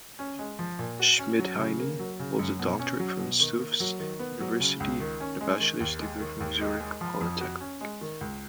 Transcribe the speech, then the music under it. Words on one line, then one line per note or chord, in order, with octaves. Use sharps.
Schmidheiny holds a doctorate from Tufts University and a bachelor's degree from Zurich Polytechnic.
C#4
G#3
F3
A#2
F#4
C#4
F#3
C#3
A#3
F#3
C#3
F#2
B2
C#4
F#3
B2
D#3
A#3
F#3
D#3
B3
F#3
C#3
C#2
D#3
C#4
G#3
D#3
D#2
G#3
D#3
D#2
D#4
G#3
F3
F2
F#4
C#4
G#3
D#3
C#2